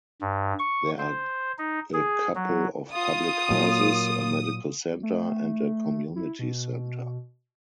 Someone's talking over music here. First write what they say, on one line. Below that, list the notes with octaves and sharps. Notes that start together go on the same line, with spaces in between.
There are a couple of public houses, a medical centre and a community centre.
G2
C#6
C5
D#4
G#4
F#3
F4 D#6
A#2 F#3 A#3
A3
E4
B2